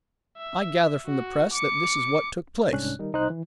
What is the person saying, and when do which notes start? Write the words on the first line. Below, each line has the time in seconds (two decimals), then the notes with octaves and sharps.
I gather from the press that this is what took place.
0.38 E5
1.07 F#4
1.54 D6 C#7
2.72 C2 G#2 C#4 D4 F#6
2.99 D#3 G3 D#4 A#4
3.13 C2 D#4 C5 F#6
3.30 E3